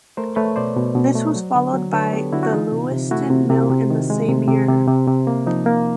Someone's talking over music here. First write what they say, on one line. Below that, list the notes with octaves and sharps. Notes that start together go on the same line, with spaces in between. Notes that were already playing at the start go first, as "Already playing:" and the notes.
This was followed by the Lewiston Mill in the same year.
A3 A#4 C5
A3 B4 C#5
B2 C5 D5
B2
B2
A3
F#3
D3
F#3
D3 B4 C#5
B3 G4 A4
D3 E4 F#4
F#4
E3 D#4 F4
C3
C3
A3 E4 F#4
C3
C3
C3
D#3
G#3
C3
C3
C3
C3
C3
A#3
F3 D#4
A#3